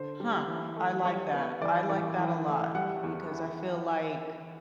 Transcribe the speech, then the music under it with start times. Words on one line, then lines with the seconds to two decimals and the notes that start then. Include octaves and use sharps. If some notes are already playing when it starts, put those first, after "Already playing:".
Huh, I like that, I like that a lot, because I feel like
Already playing: D3 C5
0.20 G3
0.48 E3
0.77 A3
1.05 G3 C#5
1.33 B3
1.62 E3 D5
1.90 A1
2.18 E3 G5
2.46 A3
2.75 G3 F#5
3.03 E2
3.32 E3